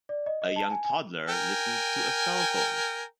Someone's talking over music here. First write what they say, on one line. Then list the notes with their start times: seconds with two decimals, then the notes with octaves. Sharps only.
A young toddler listens to a cellphone.
0.09 D5
0.26 D#5
0.42 D#5
0.56 A5
0.71 G#5
0.85 G#5
1.29 A#4 G5 G#5